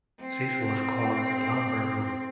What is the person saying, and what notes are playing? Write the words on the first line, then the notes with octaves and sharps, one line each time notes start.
This was called the lumber room.
C4